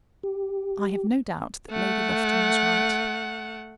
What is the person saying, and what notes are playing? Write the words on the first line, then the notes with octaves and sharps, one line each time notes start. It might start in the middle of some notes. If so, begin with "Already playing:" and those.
I have no doubt that Lady Lufton was right.
G4
A3 F#5